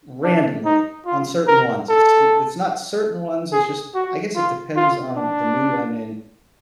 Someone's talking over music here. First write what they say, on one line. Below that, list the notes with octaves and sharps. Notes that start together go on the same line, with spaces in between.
randomly, on certain ones, it's i it's not certain ones, it's just I guess it depends on the mood I'm in
D4
D#4
F4
A#4
A4
G#4
F#4
F4
F4
D4